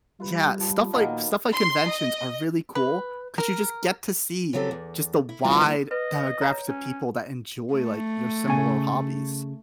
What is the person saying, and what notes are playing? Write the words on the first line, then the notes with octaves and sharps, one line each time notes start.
Yeah, stuff like stuff, like conventions are really cool, 'cause you just get to see, just the wide demographics of people that enjoy, like, your similar hobbies.
G3 F4 B4
F3
A#2 D#3 F#3 A#3 B3 A5
C6
D#5
B4
A#4
C#3 F3 F#3 C4 G4 A4
E2
E4
E3 G3 B3 C4 F4 F#4
E3 A3 A#3
B4 D#5
C#5 A#5
C#4
A3
C#3 G#5